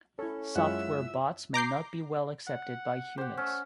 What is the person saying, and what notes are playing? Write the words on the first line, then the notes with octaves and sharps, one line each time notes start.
Software bots may not be well accepted by humans.
C#4 E4 A4 C#5
F#2 G#3 E4 F4 E5 F#5 E6 F#6
A#5 D6 G6 C7
F#5
G4 C5 F#5
A3 C#4